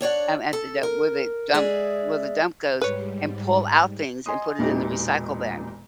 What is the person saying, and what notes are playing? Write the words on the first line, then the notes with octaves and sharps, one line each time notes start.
um, at the dump where the dump where the dump goes, and pull out things, and put it in the recycle bin,
D4 C#5 D5 F#5
A4
A#4
G#3 G#4 D5 E5
G#2 G3 B4 C#5
D#5 G#5 C6 D#6
E1 A#2 E3 D#4 G4